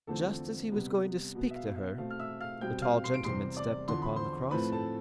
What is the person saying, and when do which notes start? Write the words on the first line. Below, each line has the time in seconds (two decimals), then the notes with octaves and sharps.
Just as he was going to speak to her, a tall gentleman stepped upon the crossing.
0.07 E2 D3 F3 A3 C4 A4 A5
0.72 C3 G3 B3
1.35 B2 B3
1.51 E5
1.56 F5
1.76 E5
1.98 B2 A3 C4 F5
2.10 F6
2.19 E5 E6
2.41 F5 F6
2.61 B2 G3 C4 G5 G6
2.82 F5 F6
3.04 C6 C7
3.14 D7
3.24 E2 C3 G3 C4 C6 C7
3.56 D5 D6
3.88 E2 D3 F3 C6
4.02 B5
4.16 C5 C6
4.51 A2 F3 A3 C4 B4 B5
4.72 A4 A5